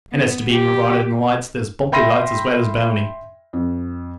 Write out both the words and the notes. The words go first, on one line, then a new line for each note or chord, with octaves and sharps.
And as to being regarded in lights, there's bumpey lights as well as bony.
B3
G4
E5 G5 B5 C6 A#6 D#7
F2